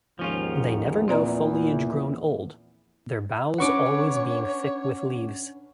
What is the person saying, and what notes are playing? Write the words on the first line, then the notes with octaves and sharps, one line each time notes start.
They never know foliage grown old, their boughs always being thick with leaves.
D#2 G#2 F3 C#4 F4
E2 A#2 E3 C4 D5 A#5
C#4 D4 B4 C#5 F#5 C#6 D6